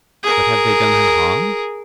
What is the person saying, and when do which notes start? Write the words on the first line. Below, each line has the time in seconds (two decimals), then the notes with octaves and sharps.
But have they done her harm?
0.23 G#4 A#4